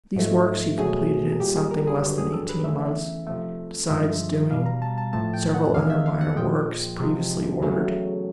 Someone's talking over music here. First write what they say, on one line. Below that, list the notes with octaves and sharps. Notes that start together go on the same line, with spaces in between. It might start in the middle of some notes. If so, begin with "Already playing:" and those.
These works he completed in something less than eighteen months, besides doing several other minor works previously ordered.
G#2 F3 A3
B2 F#3 A3 G#4
A#2 G3 G4
G#4
A#4
G#4
G2 D3 F#3 G4
G#4
A4
B4
E2 C#3 E3 A3 E5
C3 F3 A3
G2 D3 F3 G#3 E5
B2 G3 F5
A#5
A5
A5
A2 F3 A3 A5
G5
F#5
E2 C3 E3 G#3 F5
E5
F5
F#5
A#2 F3 G#3 G5
C3 F3 G#3
E2 C#3 F#3 A3